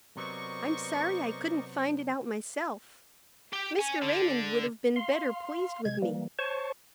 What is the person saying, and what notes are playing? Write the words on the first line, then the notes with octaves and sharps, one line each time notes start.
"I'm sorry I couldn't find it out myself; Mr. Raymond would have been better pleased with me."
C3 F#3 B3 A#4 C5 D5 D#5 C#6
G4 G5
C#5 G#5
D3
F5 C6
C3 G#3 G#6
E3 G3 A#3
C5 C#5 A5 C#6